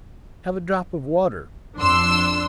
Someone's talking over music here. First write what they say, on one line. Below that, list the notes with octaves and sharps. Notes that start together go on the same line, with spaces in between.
Have a drop of water!
F2 D4 C6 E6